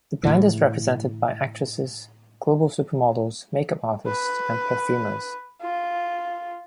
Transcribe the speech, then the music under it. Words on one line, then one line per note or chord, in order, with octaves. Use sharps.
The brand is represented by actresses, global supermodels, makeup artists and perfumers.
A2 D3 E3
B4
F4